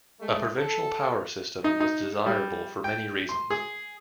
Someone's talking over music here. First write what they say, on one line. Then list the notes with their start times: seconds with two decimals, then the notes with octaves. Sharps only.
A provincial power system was desirable for many reasons.
0.20 G#3 A3
0.58 A4
1.64 D#4
1.80 D#4
2.26 G3
2.84 G5
3.29 C6
3.50 G#4